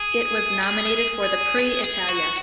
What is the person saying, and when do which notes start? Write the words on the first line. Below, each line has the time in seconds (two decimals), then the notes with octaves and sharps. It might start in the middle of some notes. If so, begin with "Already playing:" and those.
It was nominated for the Prix Italia.
Already playing: G#4
0.63 G#4
1.60 G#4
1.84 G#4
2.09 F#4